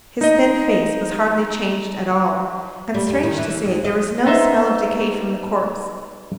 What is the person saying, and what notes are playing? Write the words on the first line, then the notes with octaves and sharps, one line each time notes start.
His thin face was hardly changed at all, and strange to say there was no smell of decay from the corpse.
D#4 D#5
G3
F2
D#3
E3
D#2
D#5
B3 D#4 C5 E5